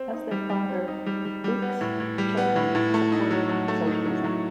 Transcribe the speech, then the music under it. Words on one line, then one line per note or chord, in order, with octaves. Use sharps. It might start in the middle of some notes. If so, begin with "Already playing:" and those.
As their father, Fuchs's children supported socialism.
Already playing: C4
D#4
G3
G3
C4
D#4
G3
G3
G3
B3
A2
A2
G3
B3
A2
A2
A3
D#4
F#3
F#3
A3
D#4
F#3
F#3